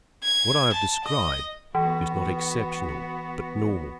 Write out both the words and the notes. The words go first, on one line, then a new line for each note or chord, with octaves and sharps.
What I have described is not exceptional but normal.
G#6
A5
D#5
E3 B3 F#4